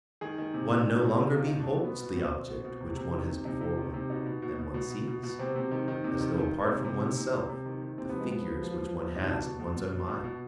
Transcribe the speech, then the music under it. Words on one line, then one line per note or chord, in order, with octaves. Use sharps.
One no longer beholds the object which one has before one, and one sees, as though apart from one's self, the figures which one has in one's own mind.
D#3 G#4
D#3
C3
D#3
D#3
C3
C3
D#3 F4
B2 D#4
D4
B2 C4
B2 B3
B2
B2 C4
B2
B2
B2
C3
C3
D#3
C3
C3 D#4
C3
D#3
C3
B2 D#4
B2
B2
B2
B2
B2
B2
B2
C3 C4
C3
D#3
D#3
C3
D#3
D#3
D#3
C3
C3
D#3
C3
C3
C3
D#3
D#3
C3 C4
F3 B3
G#3
F3 B3
F3
F3
F3
F3
C3 D#4
B2 D4
B2
B2
B2
B2
B2
B2